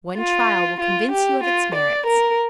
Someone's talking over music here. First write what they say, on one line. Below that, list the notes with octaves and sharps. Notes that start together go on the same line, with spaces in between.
One trial will convince you of its merits.
F4
F4
G4
F4
D5
A#4